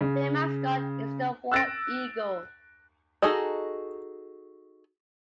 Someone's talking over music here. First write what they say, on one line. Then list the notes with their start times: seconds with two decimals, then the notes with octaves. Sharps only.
Their mascot is the War Eagle.
0.01 C#3
1.52 E6 F#6 A6 A#6 D7
3.22 D#4 F#4 G#4 A4 D#5